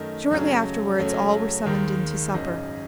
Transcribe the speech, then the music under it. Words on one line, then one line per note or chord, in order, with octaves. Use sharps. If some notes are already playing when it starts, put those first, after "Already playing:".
Shortly afterwards all were summoned in to supper.
Already playing: F#2 D#3 A3 D#5
F#2 C#3 F#3 A3
F#2 C#3 F#3 A3
D#2 D#3 G#3
G#1 F#2 C#3 D#5